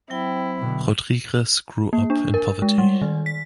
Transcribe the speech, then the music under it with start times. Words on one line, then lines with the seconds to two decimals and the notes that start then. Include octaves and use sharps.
Rodrigues grew up in poverty.
0.10 F#3 C4 E4 G5
0.59 B2 D3
1.93 A#3
2.10 D4
2.34 A#4
2.62 G#3
2.78 G3
3.02 D#3
3.26 B6